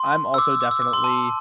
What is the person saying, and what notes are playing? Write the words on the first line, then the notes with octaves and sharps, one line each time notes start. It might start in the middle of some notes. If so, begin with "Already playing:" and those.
I'm also definitely
Already playing: C6
E6
D6
D6
E6
D6
C6
A5